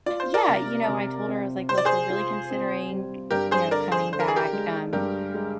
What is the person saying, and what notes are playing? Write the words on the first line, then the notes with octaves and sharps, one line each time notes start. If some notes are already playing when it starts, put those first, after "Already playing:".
Yeah, you know, I told her, I was like, "Look, we're really considering, y you know, coming back, um,
F4 D5
C5
A#4 D5
C3
C3
C4
C3 C5
D5
G#4 C5
F4
C4
G3
G2 G4 A#4
G#4 C5
D3 A#4 D5
G#4 C5
D3 C5
A#4
G#4
G4 A#4
G#3
G2 G4 A#4
G#3